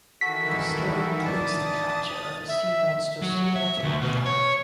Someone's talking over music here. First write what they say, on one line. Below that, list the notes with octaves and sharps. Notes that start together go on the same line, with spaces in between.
The story includes the capture of a sea monster similar to a kraken.
D#3 E3 E4 F#4 A4 B6
D4 A5 D#6 A6
E5
F#3
E5
D2
B2
C#5